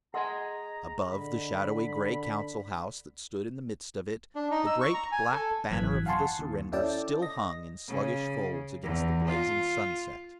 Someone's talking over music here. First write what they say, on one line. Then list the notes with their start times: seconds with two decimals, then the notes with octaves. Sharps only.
Above the shadowy grey Council House that stood in the midst of it, the great black banner of the surrender still hung in sluggish folds against the blazing sunset.
0.14 G#4 D#5 F#5 G#5 A#5 C6
1.12 D3 B5
4.35 D4
4.51 D#4
4.66 E6
4.81 C#6
4.94 A#5
5.12 G#5
5.33 A4
5.71 G#1 F#2 E3 F#6 G#6 B6
6.06 F5 F#5 G#5 A5 C6 C#6
6.39 D#2
6.72 C#4 E4 A4 D5 G5 A5
7.22 D#5 A#6
7.88 C#3
8.84 E2
9.27 F4